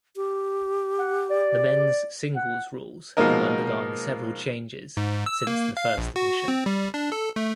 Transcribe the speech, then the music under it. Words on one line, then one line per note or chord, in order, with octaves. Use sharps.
The men's singles rules have undergone several changes since the first edition.
G4
F#5
D5
F#5
B2 F3 G#3 A#3 D#4 A#4
G#2
E6
A#3
F5
A#1
F#4
C4
G3
D4
A4
A3